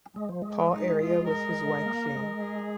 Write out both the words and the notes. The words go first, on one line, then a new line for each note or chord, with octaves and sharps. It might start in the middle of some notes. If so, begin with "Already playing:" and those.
Paul area with his wife, Jane.
G#3
F3
G#3
G#3 D#4
F4
A#4
A#3
G#3
G#4